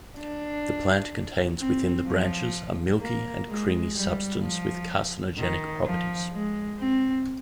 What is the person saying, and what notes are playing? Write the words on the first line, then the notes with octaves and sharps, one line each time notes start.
The plant contains within the branches a milky and creamy substance with carcinogenic properties.
D4
C4
F3
A#3
G#3
G3
F3
D#3
F3
G#3
C4